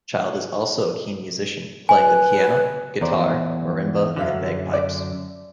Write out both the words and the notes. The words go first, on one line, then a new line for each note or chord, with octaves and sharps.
Child is also a keen musician, playing the piano, guitar, marimba, and bagpipes.
B4 G#5
E2 A#4 C5 D5
F#2 D3 F#4 E5 F5
D5